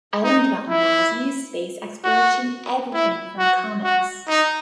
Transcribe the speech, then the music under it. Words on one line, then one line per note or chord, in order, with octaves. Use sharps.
I learned about Nazis, space exploration, everything from comics.
D#4
E4
F#4
E4
F#4
F#4
D#4